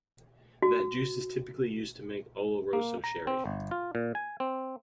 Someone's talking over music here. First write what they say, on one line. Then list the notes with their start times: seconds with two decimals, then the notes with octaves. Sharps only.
That juice is typically used to make oloroso sherry.
0.62 F#4
2.73 A#3
3.04 A#5
3.27 C4
3.46 G1
3.71 F4
3.95 A#2
4.15 G#5
4.40 C4